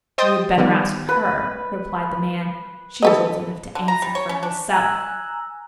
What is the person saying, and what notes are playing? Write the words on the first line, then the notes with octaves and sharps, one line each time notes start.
'You had better ask her, replied the man, 'she is old enough to answer for herself.'
C5 D#5 G5 C6 D#6 A6
D#3 G3 B3
B4
A4 B4 D#5
D3
A#5
G3
C#5
C#4
D4
G#5 A#5 E6 F#6